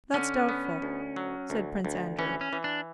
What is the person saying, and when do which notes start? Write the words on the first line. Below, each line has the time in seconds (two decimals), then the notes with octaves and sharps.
"That is doubtful," said Prince Andrew.
0.14 D3 C#4
0.49 B3
0.82 D2
1.16 F#3
1.50 D2
1.85 D2
2.19 E3 C#4
2.41 C#4
2.53 E3
2.64 D4